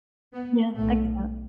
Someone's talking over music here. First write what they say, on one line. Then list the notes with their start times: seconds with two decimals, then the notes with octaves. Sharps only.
Yeah, I get that.
0.33 B3
0.76 B1 A2 A3